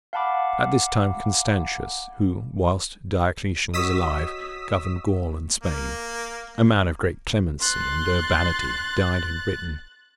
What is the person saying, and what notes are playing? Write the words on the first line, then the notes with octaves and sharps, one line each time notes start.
At this time Constantius, who, whilst Diocletian was alive, governed Gaul and Spain, a man of great clemency and urbanity, died in Britain.
F5 F#5 A5 B5 D6
F#4 C#5 D#5 D#6 E6 B6
A#3
C6 F#6 A6